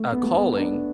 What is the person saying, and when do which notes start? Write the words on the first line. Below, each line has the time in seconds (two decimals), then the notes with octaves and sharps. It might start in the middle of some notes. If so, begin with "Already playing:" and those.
a calling
Already playing: A3
0.12 B3
0.23 A3
0.35 B3
0.57 D4